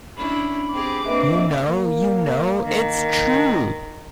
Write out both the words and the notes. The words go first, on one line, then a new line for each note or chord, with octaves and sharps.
You know, you know, it's true!
C#4 D4 E4 B5
C4 G4 G#4 D6
A#3 C4 D4 B4 D#5 E5
A#3
D#3